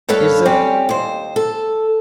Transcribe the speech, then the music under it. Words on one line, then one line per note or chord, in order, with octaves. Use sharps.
Is there?
G2 A4 B4 C#5 F5
G3 C4 C#4 G4
D#2 C5
A4